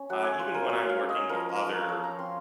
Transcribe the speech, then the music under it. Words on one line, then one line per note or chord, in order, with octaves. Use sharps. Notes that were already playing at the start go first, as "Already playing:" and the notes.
uh, even when I'm working with other,
Already playing: C#4
F#3 F#5
G#5
F4 C5
A#4
F#3 C#5
F5
C#4
D#5
F3 A#4
A#4
F4
F5
F3 C#5
A#5
C4 C6